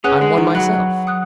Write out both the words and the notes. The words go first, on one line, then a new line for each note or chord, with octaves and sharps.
"I'm one myself."
C#4 G#4 B4 F#5 D#6 F#6
G#3
D#3
F#3 F#5 B5 F#6
F#5 D#6 F#6